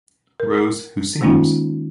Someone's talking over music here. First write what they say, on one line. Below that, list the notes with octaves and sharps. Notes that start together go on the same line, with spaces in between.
Rose who seems.
A#4
D#3 G#3 A#3 C#4 D#4 F4